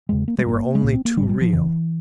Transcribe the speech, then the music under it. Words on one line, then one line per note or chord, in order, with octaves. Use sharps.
They were only too real.
E1 E2 C#3 G#3
A#3
G#3
G#1 G2 A#3
G#3
C2 A#2 A#3
C4
A#3
G#1 G#2 G3
G3
F3
F1 E2 C#3 E3